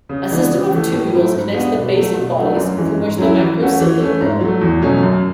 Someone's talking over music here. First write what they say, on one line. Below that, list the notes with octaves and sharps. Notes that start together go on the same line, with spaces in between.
A system of tubules connects the basal bodies from which the macrocilia grow.
C#3
E3 G#3 B3 D4
C#3
E3 A3
A2
F#3 A3 E4
G#2
G#3 B3 D4 F#4
B2
F#3 A3
B2
F#3 A3 D4 F#4
F#2
E3 G#3 C#4
G#2
F#3 C#4 E4
E3
A3 C#4 F#4
E3
A3 C#4
G#2
F#3 A3
E2
B2 F#3 A3 C#4
F#2